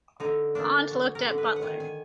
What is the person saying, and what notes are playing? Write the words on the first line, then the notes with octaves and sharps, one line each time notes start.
Aunt looked at butler.
D3 D#4
A#3 D4
F#3
A#4
D3
B4
F#5
D#3 G#5
G#5